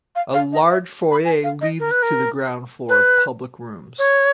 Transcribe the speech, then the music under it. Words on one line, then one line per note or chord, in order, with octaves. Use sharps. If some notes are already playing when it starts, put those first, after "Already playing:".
A large foyer leads to the ground floor public rooms.
F5
F5
D#5
E5
B5
G#5
F5
D#5
A#4
B4
A#4
B4
C#5